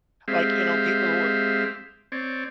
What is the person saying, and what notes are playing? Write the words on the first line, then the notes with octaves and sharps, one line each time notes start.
like, you know, people who are
G#3 C4 G4 E5 F5
C4 C#5 D5